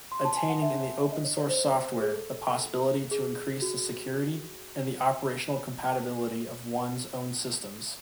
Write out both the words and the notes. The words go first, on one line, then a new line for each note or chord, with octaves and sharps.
Attaining in the open source software the possibility to increase the security and the operational compatibility of one’s own systems.
C6
A5
G#5
F#5
E5
D#5
C#5
C#5
C5
G#4
A4
G#4
F#4